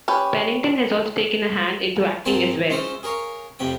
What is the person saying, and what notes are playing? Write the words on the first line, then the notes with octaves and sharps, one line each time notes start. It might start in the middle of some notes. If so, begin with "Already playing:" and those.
Pennington has also taken a hand into acting as well.
C#4 G4 B4
G#2 A#3 C4 G#5 A5
G#3 C#4 F4 C5 E5
G#4 A#4 C#5 F5
F2 A2 C3 G5